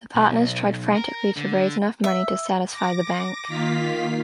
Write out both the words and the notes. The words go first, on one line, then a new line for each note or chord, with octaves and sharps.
The partners tried frantically to raise enough money to satisfy the bank.
B1
A#4
D3
E5
D6 A#6
D#3 A#3 F4 F5 B6